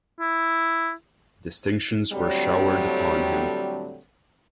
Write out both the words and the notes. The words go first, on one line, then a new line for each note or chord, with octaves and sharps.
Distinctions were showered upon him.
E4
A2 D3 F#3 G3 C4